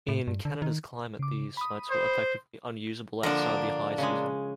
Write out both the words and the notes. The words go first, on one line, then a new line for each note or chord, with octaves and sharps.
In Canada's climate, these sites were effectively unusable outside the high season.
A2
G2
D3
D#3
C#3 D6
B5 D#6
C5
D3 F3 A#3 D4 A#4
C#3 G#3